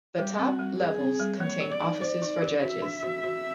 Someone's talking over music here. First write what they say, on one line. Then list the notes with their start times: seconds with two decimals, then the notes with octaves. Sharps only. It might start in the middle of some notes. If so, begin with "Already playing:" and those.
The top levels contain offices for judges.
0.18 G3 G4
0.39 C4
0.48 F#4
0.59 G3
0.80 G4 G#4
1.00 C4
1.20 G3
1.40 A#3 C#5
1.60 G4
1.71 D5
1.81 D#4
2.01 C5 D5
2.22 D#4
2.42 G4
2.62 F#4 E5
2.82 D4
3.03 F#4
3.23 F#4